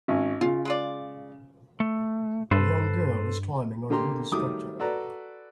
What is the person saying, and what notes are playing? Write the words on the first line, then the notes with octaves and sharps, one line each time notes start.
A young girl is climbing on a wooden structure.
G#1 C#4
C#3 F4
G#3 F4 D5
A3
G2 A4 B4 C5
D3 A#3 G4 A#5 C6
D#3 F#3 G3 A3 D6 D#6
F#4 A4 B4 D5 A#5